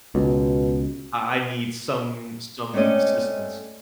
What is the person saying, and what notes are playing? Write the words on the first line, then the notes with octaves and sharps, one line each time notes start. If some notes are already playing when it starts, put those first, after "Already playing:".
I I need some some assistance.
C#2 B2
G#3 A3 C4 C#4 D5 D#5